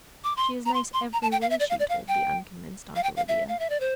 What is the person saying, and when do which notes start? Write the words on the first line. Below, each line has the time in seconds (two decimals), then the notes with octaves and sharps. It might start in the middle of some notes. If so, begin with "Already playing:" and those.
"She is nice every way," she told the unconvinced Aunt Olivia.
0.24 D6
0.37 C6
0.66 A#5
0.74 C6
0.94 C6
1.13 A#5
1.22 A5
1.32 G5
1.42 F5
1.50 E5
1.60 D5
1.70 F5
1.80 D5
1.89 F5
2.08 G5
2.96 F5
3.03 G5
3.17 F5
3.28 E5
3.49 F5
3.59 E5
3.70 D5
3.80 C5